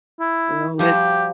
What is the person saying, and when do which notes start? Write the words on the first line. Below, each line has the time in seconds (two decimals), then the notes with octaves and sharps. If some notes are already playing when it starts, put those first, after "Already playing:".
Well, let's
0.20 E4
0.79 F3 G3 F#4 G4